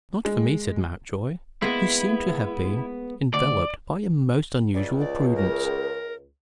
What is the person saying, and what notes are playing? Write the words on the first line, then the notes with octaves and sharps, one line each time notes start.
"Not for me," said Mountjoy, who seemed to have been enveloped by a most unusual prudence.
G#3
G#3 A#3 B3 E4
D2 D5
C#2 D5
D5
A#4